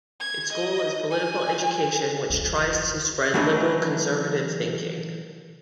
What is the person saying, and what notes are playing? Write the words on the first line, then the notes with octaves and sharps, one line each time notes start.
Its goal is political education which tries to spread liberal-conservative thinking.
G#6
D#5
G#5
F1 D2
E3 F#3 A3 D4 D#4